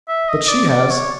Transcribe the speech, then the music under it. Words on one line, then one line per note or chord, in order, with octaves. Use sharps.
But she has.
E5
D#5
D5
D5
C#5